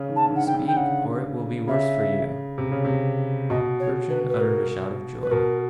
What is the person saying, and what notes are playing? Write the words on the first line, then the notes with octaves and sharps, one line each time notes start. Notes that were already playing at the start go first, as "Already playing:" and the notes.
'Speak or it will be worse for you.' Bertrand uttered a shout of joy.
Already playing: C#3
D#3
A5
D3
D#3
F#5
D#3 G5
D3
G5
C#3 F#5
C#3 E5
C3
C#3
C3
B2 D#5
C#5
B4
B4
A#4
B4
B2 A#4